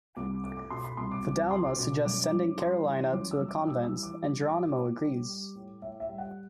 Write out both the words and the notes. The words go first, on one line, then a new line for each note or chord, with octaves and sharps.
Fidalma suggests sending Carolina to a convent, and Geronimo agrees.
C2 D6
A3 D6
D6
B2 C6
B5
C2 C6
D6
C2 D6
D6
A3 C6
D6
B2 D6
D6
F#2 D6
F#2
G3 C6
E3
F#2 D6
E6
F#2
D6
G3 E6
E6
E3
D6
G3
A2 D6
A2
G3
G3
A2
A2 E5
E5
G3
F#5